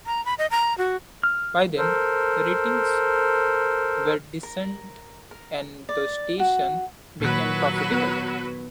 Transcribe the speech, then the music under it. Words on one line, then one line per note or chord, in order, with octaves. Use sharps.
By then, ratings were decent and the station became profitable.
A#5
B5
D#5
A#5
F#4
F6
A4 A#4 C5
A#4
A#4
D5
F#4
A#2 D#3 F#3 B4
B3